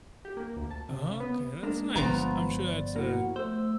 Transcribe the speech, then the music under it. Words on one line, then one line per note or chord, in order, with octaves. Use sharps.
Okay, that's nice. I'm sure that's, uh,
G4
A#3
D2
A5
C3
C#3
B3
G#3 A#3 D4
G1 F3 B3 A#5
D5
A#3 E4 F#4 F#5
A3 C5 E6